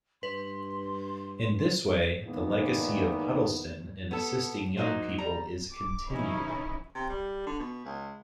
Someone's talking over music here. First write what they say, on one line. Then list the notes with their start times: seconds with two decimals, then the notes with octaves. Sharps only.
In this way, the legacy of Huddleston in assisting young people is continued.
0.23 G2 B4 C6
2.24 E2 G#2 D#3 E3 A#3 B3
4.11 B3 A4
4.77 F#3 A#3 D#4 F#4 C5
5.18 G3 A#5
5.72 D6
6.07 C#3 E3 C#4 D#4 E4
6.95 C3
7.09 G3
7.46 D3
7.60 B2
7.85 C#2